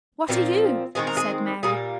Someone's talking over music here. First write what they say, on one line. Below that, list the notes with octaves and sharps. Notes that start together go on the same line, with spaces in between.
"What are you?" said Mary.
A#2 F3 C4
D#3 G#3 C4 G#4
A#4
G#4
A#2 G3 A#3 G#4